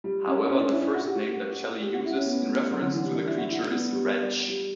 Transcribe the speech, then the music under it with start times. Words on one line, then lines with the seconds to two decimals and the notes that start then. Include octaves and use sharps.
However, the first name that Shelley uses in reference to the creature is "wretch".
0.04 G3
0.27 C#4
0.49 C#4
0.60 D4
0.71 E4
0.82 E4
0.93 F#4
1.04 G4
1.15 F#4
1.82 G4
1.93 F#4
2.04 E4
2.15 C#4
2.26 B3
2.48 G3
2.71 F#3
2.82 D3
2.93 E3
3.03 G3
3.15 D4
3.26 E4
3.37 F#4
3.49 E4
3.59 D4
3.70 B3
3.92 G3
4.48 G3